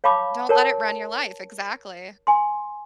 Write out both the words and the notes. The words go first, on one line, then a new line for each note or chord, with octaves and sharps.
Don't let it run your life exactly.
C#5 F5 A5 B5 C#6 D6
A#4 C#5 A5
G#5 C6